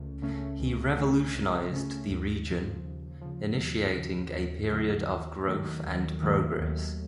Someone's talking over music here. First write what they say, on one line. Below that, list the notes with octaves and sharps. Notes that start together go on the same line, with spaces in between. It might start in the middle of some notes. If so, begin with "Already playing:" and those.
He revolutionized the region, initiating a period of growth and progress.
Already playing: C#2 C#3 A3 C#4
C#3 A3 C#4
C#2
C#3 A3 C#4
C#2
C#3 A3 C#4
D#2
C#3 F3
D#2
C#3 F3
D#2
C#3 F3
D#2
C#3 F3
D#2
D#3 F#3 A3
D#2
D#3 F#3 A3
D#2